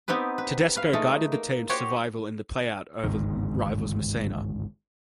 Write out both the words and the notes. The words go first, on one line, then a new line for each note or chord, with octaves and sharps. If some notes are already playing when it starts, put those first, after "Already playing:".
Tedesco guided the team to survival in the playout over rivals Messina.
B3 C4 D#4 G4 B4
B4
B4 F5
G#3 A3 D#4
A#3
F#4 G4 C5 C#5 F#5 G5
G1 C#2 G#2 D#3